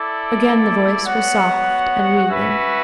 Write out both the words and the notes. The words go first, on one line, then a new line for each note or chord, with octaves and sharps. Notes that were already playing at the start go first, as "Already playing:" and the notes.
Again the voice was soft and wheedling....
Already playing: E4 A4 D5
B3 F#4 C#5 F#5
C#4 F#4 B4 E5